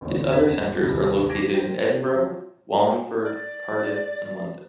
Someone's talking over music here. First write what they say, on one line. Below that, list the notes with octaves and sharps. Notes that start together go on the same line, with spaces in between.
Its other centres are located in Edinburgh, Wallingford, Cardiff and London.
A1 D2 A#2 B3 C#5
F#1 E2 B3 D5 G#6 B6
D#1 C2 G2
D6 G#6 A#6 B6 D7
A#4 C5 G5
F3 F#3
D5